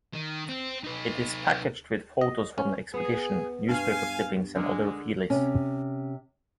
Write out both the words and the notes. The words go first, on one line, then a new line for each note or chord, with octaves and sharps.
It is packaged with photos from the expedition, newspaper clippings and other feelies.
D#3
C4
D#4 B4
D#5
C#4
B3 G#4
G2 F5 G#5
D3 G#3 G#4 A#4
C3 C#4